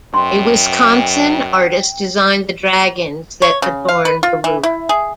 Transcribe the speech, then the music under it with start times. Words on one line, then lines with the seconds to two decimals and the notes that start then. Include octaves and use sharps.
A Wisconsin artist designed the dragons that adorn the roof.
0.14 F#2 B2 G5 C6
3.42 C#5
3.62 C#3
3.89 F5
4.05 B4
4.23 F4
4.44 E3
4.63 E4
4.89 G#4